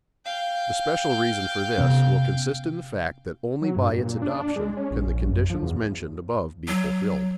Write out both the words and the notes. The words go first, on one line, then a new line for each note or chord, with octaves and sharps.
The special reason for this will consist in the fact that only by its adoption can the conditions mentioned above be fulfilled.
F5 G5
C3 B3 C#4
F#3
G2
A#2
D4
G#3
C#4
A#1
A#1
F#2
F3
E2
F#3